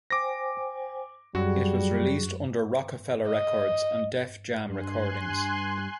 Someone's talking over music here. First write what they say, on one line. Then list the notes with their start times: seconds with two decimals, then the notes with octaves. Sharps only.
It was released under Roc-A-Fella Records and Def Jam Recordings.
0.10 C5 G5 G#5 D6 A#6
1.35 F#2 F#3 G3 F#4 G#4
3.27 D#5
4.69 G2 G#5 C6 F#6